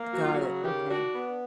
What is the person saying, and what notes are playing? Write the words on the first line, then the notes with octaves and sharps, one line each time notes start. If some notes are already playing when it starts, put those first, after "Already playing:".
Got it, okay.
Already playing: A#3
F#3 F#4
F4
C#3 F#4
D#3 G4
D4 F#4
B3